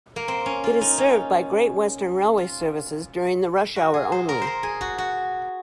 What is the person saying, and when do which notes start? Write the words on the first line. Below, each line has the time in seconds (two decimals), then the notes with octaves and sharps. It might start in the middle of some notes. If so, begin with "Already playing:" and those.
It is served by Great Western Railway services during the rush hour only.
0.16 A#3
0.28 C4
0.46 C#4
0.64 F4
0.81 D#4
0.98 C#4
2.38 F4
3.76 F#4
3.94 G#4
4.12 C5
4.29 A#4
4.42 C5
4.47 A#4
4.63 G#4
4.81 F#4
4.98 F#4